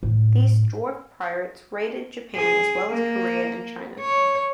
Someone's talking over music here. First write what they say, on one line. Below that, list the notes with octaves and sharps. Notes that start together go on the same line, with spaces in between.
These "dwarf pirates" raided Japan as well as Korea and China.
A2
G#4
A#3
C#5